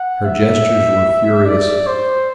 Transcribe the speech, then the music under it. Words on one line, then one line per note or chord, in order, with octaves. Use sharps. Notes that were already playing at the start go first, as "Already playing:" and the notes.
Her gestures were furious.
Already playing: F#5
E5
D5
C5